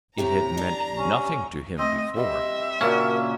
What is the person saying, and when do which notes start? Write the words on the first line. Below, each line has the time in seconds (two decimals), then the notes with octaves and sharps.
It had meant nothing to him before.
0.18 A2 C3 E4 G4 A#5
0.57 D4
0.98 C#4
1.79 A3 C4 D#5
2.17 G3 D#5 E5
2.81 A#2 C#3 A#3 C#4 D4 F#4 A#4